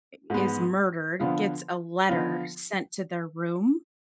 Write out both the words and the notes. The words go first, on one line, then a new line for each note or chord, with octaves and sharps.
i is murdered gets a letter sent to their room.
G#2 G#3 B3
D3 F3 B3 F4
D3 F3 B3 F4